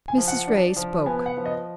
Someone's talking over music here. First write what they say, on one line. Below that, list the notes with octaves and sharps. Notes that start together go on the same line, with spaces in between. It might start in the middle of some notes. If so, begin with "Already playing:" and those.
Mrs. Ray spoke.
G#5
F3
F#5
D4
F3
B3 G#5
F#5
F3
D#5